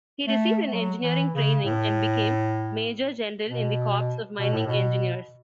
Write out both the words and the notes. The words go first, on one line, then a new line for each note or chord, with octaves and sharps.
He received an engineering training and became major-general in the corps of Mining Engineers.
A3
A3
F#3
E3
C#3
A2
B2
B2
A2
B2